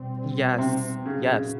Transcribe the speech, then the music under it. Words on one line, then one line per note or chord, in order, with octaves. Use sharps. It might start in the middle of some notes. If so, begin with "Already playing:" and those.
Yes. Yes.
Already playing: B2 G3 C4
C3
A#2 C#3 F#3 B3
C#3